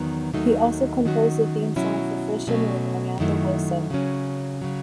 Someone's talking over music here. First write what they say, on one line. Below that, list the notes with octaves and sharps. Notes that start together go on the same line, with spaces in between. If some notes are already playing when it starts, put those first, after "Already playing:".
He also composed the theme song for "Fishin' with Orlando Wilson".
Already playing: E2 D#3 F#3 B3
D#2 D#3 F#3 A3 D#4
D#3 F#3 C#4 F#4
B2 F#3 C#4 E4
B2 F#3 A3 C#4
F#2 D#3 F#3 A3 E4
C#3 F#3 C#4
C#3 F#3